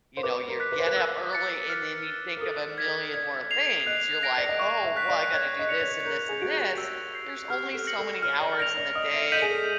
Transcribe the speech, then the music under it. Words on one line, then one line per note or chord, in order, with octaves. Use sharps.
You know, you're getting up early and then you think of a million more things; you're like, "Oh, well, I got to do this and this and this." There's only so many hours in the day
C5
B4 D6
A#4
F#6 B6
B4
C5
B4
A#4 E6
A6 C#7
F6
A6 C#7 E7 G7
A#4
A4 D#6
G#6 B6
D5 G#6
C7 F7
D#5 F#6
A#6 D7
D5
D#5
E5 C#6
E5
F#6 B6
D5
C#5 G#6
D#5
D5 C#7 F7
C#5
A#4 G6
G#4
F#4 A#6 D7 F7
G4
E6
G6 C7
G4 F6
A4
A#6 C#7 F#7
A4
C#5 F6
D5
D5 A#6 D7 F7
D5
D#5 D#6
E5
D#5 G6 B6 D#7 F#7
G#4
A4